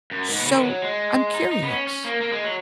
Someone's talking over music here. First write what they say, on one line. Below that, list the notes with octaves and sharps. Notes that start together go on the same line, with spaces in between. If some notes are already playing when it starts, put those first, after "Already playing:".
So, I'm curious,
F#2
G#2
B2
C#3
D#3
F#3
G#3
D#4
D#4
B3
C#4
C#4
A#3
A#3
G#3
F#3